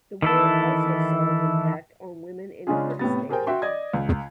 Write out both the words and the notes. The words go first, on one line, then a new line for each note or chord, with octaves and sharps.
The war also saw an impact on women in Kurdistan.
D#3 E3 E4 A4
C#3 G#3 C#4 D4 F4 G#4
A2 C3 B3 A6
G4 G#4 A#4 C5 G5
F#4 E5 G5 C6
D5 D#5 G#6
C#2